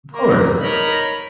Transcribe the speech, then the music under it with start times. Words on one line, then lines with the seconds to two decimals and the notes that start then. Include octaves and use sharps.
Of course.
0.12 A#3 A#4
0.61 D#4 A#4 C#5 B5